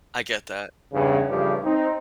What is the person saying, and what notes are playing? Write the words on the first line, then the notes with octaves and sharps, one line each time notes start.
I get that.
E2 G2 C#3
A1 G2 C#3 F3 G3 G4
C4 D#4